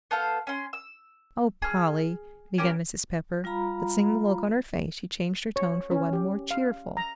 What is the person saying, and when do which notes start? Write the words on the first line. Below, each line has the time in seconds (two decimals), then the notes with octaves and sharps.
"Oh, Polly," began Mrs. Pepper; but seeing the look on her face, she changed her tone for one more cheerful.
0.11 B3 A4 C5 F5
0.47 C#4 C6
0.73 E6
1.62 G#4 F6
2.58 C#4 G4 A#4
3.44 G3 F4 F5 A#5 B5
5.56 C#5
5.91 C#4
6.13 G4
6.51 F5
6.97 A#5